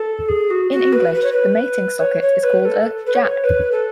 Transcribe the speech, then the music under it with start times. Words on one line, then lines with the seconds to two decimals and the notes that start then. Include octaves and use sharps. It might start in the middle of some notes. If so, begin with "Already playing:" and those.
In English, the mating socket is called a "jack".
Already playing: A4
0.28 G#4
0.50 F#4
0.72 F#4
0.93 B4
1.15 B4
1.23 C#5
1.32 B4
2.00 C#5
2.22 C#5
2.43 B4
2.65 A4
3.07 B4
3.15 C#5
3.44 B4
3.72 A4